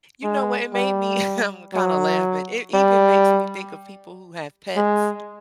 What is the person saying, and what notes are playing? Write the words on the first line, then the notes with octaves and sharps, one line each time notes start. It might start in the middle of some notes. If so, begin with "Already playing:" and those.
You know what, it made me, um, kinda laughing, it even makes me think of people who have pets,
G#3
G3
F#3
G3
G#3